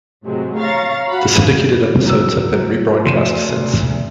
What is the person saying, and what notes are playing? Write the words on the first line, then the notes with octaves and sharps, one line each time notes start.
The syndicated episodes have been rebroadcast since.
A2 C3 F#3 G#3
C#5 F5 A#5 C#6 A6
F#4 F5 F#5 B5
F#3 E6
F#3
F1 D2 C6 D#7 E7